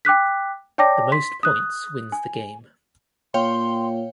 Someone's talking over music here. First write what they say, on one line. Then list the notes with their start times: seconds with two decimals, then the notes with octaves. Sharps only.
The most points wins the game.
0.05 G5 D6 F#6 B6
0.78 C#5 D5 G5 A5 D6 A#6
1.12 C6 B6
1.43 D#6 F#6
2.12 G#5
3.34 A#2 C#5 F5 G5 C6